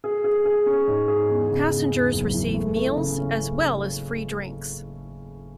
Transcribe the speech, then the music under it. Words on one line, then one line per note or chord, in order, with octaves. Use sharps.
Passengers receive meals, as well as free drinks.
G#4
G#4
G#4
C#4
G#2
G#4
E2
C#3
E2
E2
F#1
E3
A3
A3
C#3
C#4